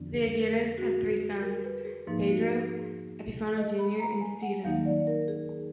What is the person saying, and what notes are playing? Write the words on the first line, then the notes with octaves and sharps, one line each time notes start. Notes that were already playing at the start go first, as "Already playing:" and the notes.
The Aguirres had three sons: Pedro, Epifanio Junior and Stephen.
Already playing: F2 D3 F3 B3 D4
G#4
A#4
G#4
F#4
F#4
G#4
A#4
B4
G#4
G#2 F3 A#3 D#4
F#4
G#4
D#5
B5
A#5
G#5
F#5
D#2 D#3 F#3 A#3 D#4 F5
D5
A#4
G#4